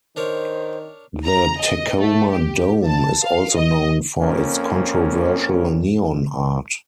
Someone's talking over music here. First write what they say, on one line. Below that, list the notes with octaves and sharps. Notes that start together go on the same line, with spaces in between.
The Tacoma Dome is also known for its controversial neon art.
D#3 D4 A#4 C5 C#5
A#5
D#5
A3
G4
A5
F5
D#5
F2 A#3 C#4